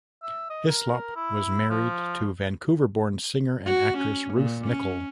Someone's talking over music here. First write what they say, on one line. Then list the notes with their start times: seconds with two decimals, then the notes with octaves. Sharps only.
Hyslop was married to Vancouver-born singer and actress Ruth Nichol.
0.22 E5
0.50 D#5
0.69 A#4
1.16 E4
1.70 F3
3.66 F#4
3.98 C#4
4.33 A#2
4.67 C#4